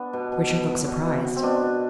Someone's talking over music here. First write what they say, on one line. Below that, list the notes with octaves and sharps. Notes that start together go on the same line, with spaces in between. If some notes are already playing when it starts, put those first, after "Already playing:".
Richard looked surprised.
Already playing: B3 D4
B2
B2
B2
B2
B2
B2
B2
C4
B2 D4
B2